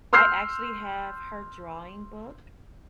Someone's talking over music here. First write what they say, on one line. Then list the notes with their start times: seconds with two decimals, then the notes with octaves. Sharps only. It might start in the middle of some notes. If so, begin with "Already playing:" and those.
I actually have her drawing book.
0.13 C6 E6 F6 G6 C7